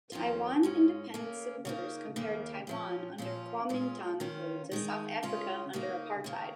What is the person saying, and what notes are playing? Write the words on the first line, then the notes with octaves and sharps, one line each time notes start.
Taiwan Independence supporters compared Taiwan under Kuomintang rule to South Africa under apartheid.
F2 D#3 C#4 F4
G#2 G#3 C#4
C#3 A#3 C#4
C#3 A#3 D#4
D#2 C#3 A#3
A#2 F3 C#4
A#2 F3 C#4 F4
A#2 G#3 C#4 F4
D#3 C#4 F4
D#3 G#3 D#4
C#3 G#3 C#4 F4
C#3 A#3 D#4
D#2 C#3 A#3